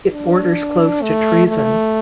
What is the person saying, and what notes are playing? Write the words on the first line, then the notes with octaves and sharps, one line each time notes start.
It borders close to treason.
D4
A3
A3